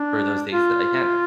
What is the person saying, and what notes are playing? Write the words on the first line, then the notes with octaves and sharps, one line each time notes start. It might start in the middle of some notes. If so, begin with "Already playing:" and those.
for those days that I can.
Already playing: D4
F4